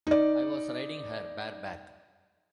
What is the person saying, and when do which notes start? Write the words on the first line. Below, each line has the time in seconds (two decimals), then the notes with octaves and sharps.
I was riding her bareback...
0.07 D#4 D5